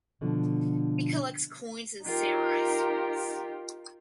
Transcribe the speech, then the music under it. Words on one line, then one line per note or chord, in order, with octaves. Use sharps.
He collects coins and samurai swords.
B2 D3 F3
D#4 F4 G4 A#4 G5